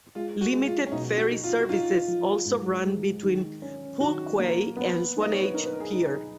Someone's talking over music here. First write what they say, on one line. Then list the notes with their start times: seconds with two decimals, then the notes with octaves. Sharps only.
Limited ferry services also run between Poole Quay and Swanage Pier.
0.15 G#3 F4
0.41 F#4
0.53 G#3
0.66 F4
0.87 C#4
0.92 B2 D#4
1.18 F#4
1.31 D#4
1.44 F4
1.59 F#4
1.69 D#4 F4
2.08 F3
2.45 G#2
2.85 G#3
3.23 D#3
3.62 C#4
4.00 D#3 F#4
4.39 A#3
4.77 B3
5.16 D#4 D#5
5.32 C#5
5.43 B4
5.54 D#4 A#4
5.66 B4
5.73 A#4
5.80 G#4
5.92 D#4
6.06 G#4